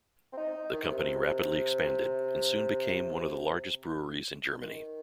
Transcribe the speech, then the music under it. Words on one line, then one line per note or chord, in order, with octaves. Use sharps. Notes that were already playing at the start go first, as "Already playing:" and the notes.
The company rapidly expanded and soon became one of the largest breweries in Germany.
C4
D#4
D#3
C3
D#3